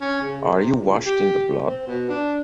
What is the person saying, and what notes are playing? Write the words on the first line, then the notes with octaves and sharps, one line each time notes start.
Are You Washed in the Blood?
C#4
C#3
C3
C#2
G4
C4
B2
D4